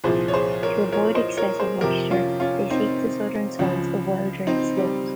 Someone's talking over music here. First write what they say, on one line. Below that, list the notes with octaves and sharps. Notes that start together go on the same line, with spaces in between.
To avoid excessive moisture, they seek the southern side of well drained slopes.
C2 A#2 F3 G#4 C5
C#5
G#4 C5
A#4 C#5
A#4 C#5
C5 D#5
A#4 C#5
G#4 C5
F2 C3 F3 G4 A#4
C#4 F4
C#4 F4
C4 D#4
C#2 C#3 F3
C4 D#4
G3